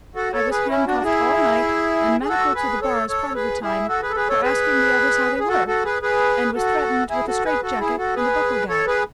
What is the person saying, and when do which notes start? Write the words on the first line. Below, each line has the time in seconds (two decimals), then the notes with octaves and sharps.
I was handcuffed all night and manacled to the bars part of the time for asking the others how they were, and was threatened with a straitjacket and a buckle gag.
0.16 F#4 A4
0.33 A4 C#5
0.51 G#4 B4
0.69 C#4 E4
0.86 D4 F#4
1.04 E4 G#4
2.22 G#4
2.29 F#4 A4
2.55 G#4 B4
2.82 A4 C#5
3.09 A4 C#5
3.35 G#4 B4
3.62 E4 G#4
3.89 F#4 A4
4.03 G#4 B4
4.10 A4
4.16 G#4 B4
4.29 A4 C#5
4.43 G#4 B4
5.39 G#4
5.49 F#4 A4
5.68 F#4 A4
5.85 G#4 B4
6.02 G#4 B4
6.55 F#4 A4
7.10 E4 G#4
7.27 F#4 A4
7.44 G#4 B4
7.63 F#4 A4
7.80 E4 G#4
7.98 F#4 A4
8.16 G#4 B4
8.69 A4 C#5
8.87 G#4 B4